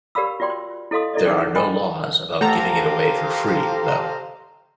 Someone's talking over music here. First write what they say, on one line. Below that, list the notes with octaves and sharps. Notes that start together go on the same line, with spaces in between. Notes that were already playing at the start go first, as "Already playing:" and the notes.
There are no laws about giving it away for free, though.
G4 A#4 D5 F5 B5 E6
F4 F#4 D5 G5 C6
E4 A4 D#5 F5 C6 D#6
E4 A4 D5 D#5
D#4 G#4 A#4 C5 D5 G5
D#5 G5 G#5 B5
A3 G4 A4 C5 F5 A#5